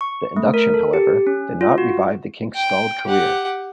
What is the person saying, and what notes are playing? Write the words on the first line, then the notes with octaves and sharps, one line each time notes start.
The induction, however, did not revive the Kinks' stalled career.
C#6
A3
A#4
A4
G4
C#4
F4
F#4
G5
G4 F#5